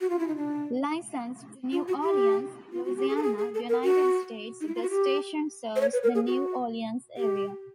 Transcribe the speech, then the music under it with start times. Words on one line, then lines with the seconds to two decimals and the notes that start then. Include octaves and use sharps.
Licensed to New Orleans, Louisiana, United States, the station serves the New Orleans area.
0.01 F#4
0.10 F4
0.19 E4
0.28 D#4
0.36 D4
1.72 F4
1.88 F#4
2.02 G4
2.72 F4
2.85 F#4
2.97 G4
3.09 G#4
3.17 A4
3.23 G#4
3.38 G#4
3.54 A4
3.69 A#4
3.84 F#4
4.61 D#4
4.68 E4
4.75 F4
4.82 F#4
4.90 G4
5.76 C5
5.81 C#5
5.93 B4
6.03 A#4
6.15 G#4
6.27 F#4
7.17 G4